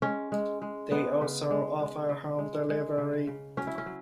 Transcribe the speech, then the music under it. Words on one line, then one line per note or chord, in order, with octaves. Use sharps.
They also offer home delivery.
G#3 C#4
G#3
G#3
G#3 B3
C#3
G#3
G#3
C#3
G#3
G#3
C#3
C#3
F#3 C#4
E4
C#4
F#3